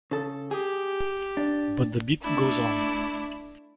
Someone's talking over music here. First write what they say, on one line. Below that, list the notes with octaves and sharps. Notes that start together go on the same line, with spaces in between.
But the Beat Goes On.
C#3 A4
G4 G#4
D4
A3 D4 E4